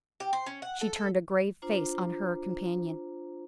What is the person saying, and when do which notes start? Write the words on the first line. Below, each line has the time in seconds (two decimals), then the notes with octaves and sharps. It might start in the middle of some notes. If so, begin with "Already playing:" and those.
She turned a grave face on her companion.
0.20 G4
0.33 C5
0.46 C#4
0.62 F#5
0.81 A4
0.96 A4
1.62 D4 F4 C5 A#5